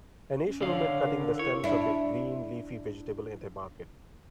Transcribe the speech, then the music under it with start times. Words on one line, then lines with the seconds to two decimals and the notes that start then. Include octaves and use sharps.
An Asian woman cutting the stems of a green leafy vegetable at a market.
0.47 C#4
0.62 D3 C#5 F5
1.02 A#4
1.39 E4 C#5
1.64 D4 E4